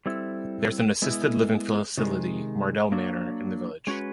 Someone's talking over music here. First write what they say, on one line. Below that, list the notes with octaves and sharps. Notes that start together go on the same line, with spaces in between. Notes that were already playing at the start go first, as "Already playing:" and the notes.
There is an assisted living facility, Mardell Manor, in the village.
G3 C4 E4 A4
G#3 B3 E4
C3 D#3 G#3
F#3 A#3 D4
G#3 C#4 F#4 B4